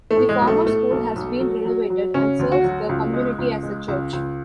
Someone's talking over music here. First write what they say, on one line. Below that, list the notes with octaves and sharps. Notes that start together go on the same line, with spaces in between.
The former school has been renovated and serves the community as a church.
A3
A2
G#3
B1
A3
A2 A3
B1
B1
F#3
F#3
F#3
C#3 C#4
D2
F#4
F#3
C#2
G#3
C#2
G#3
C#2
C#2